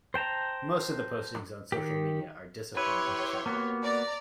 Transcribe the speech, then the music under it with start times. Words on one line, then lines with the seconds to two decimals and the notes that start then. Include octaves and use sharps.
Most of the postings on social media are disappointingly shallow.
0.14 C5 G5 A5 A#5
1.72 D#3 G4
2.77 E4 G4 B4 C#5 C6
3.46 A#3 B3 F#4
3.83 D5 A#5